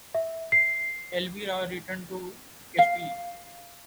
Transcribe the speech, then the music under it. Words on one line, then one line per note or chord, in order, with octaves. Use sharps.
Elvira returned to Castile.
E5
C7
F5